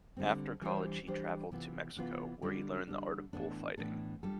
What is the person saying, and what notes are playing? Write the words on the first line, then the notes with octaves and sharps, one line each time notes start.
After college he traveled to Mexico, where he learned the art of bullfighting.
D3 G3 C4
E3 G3 D4 G4 C5
E3 G3 D4 G4 C5
C3 E3 B3 F4
C3 E3 B3 F4
D3 G3 D4
D3 G3 D4
A2 E3 B3 D4 A4
A2 E3 B3 D4 A4
G3 D4 F4 A4